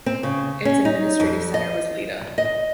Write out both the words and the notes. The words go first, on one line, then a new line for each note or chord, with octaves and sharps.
Its administrative centre was Lida.
C4
C#3
C#4
D#4
F2
D#5
D#5